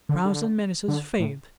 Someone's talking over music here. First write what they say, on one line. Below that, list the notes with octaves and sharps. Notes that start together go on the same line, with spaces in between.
Frowns and menaces failed.
D3
D3
D3
A2